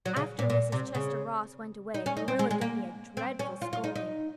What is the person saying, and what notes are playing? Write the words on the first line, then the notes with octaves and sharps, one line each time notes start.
After Mrs. Chester Ross went away, Marilla gave me a dreadful scolding.
F#3
C#3
A#2
A#2
C3
C#3
D#4
C#4
D#4
C4
G#3
G#3
A#3
C4
C#4
F4
F4
D#4
D#4